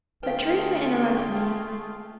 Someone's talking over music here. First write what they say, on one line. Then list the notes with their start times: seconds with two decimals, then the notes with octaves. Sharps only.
But Teresa interrupted me.
0.23 D3 A3 F4 G#4 B4 F5 G5